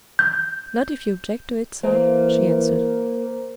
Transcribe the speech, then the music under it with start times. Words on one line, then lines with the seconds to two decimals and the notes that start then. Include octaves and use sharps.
"Not if you object to it, sir," she answered.
0.19 G6
1.83 E3 A#3 C5